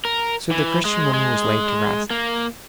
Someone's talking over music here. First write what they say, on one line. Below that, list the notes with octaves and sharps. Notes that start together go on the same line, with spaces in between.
So the Christian woman was laid to rest.
A#4
E3
G#3
G#3
A#3